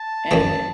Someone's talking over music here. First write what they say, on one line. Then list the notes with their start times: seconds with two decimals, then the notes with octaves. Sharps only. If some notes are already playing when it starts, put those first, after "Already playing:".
And, eh,
Already playing: A5
0.31 F#2 E3 A3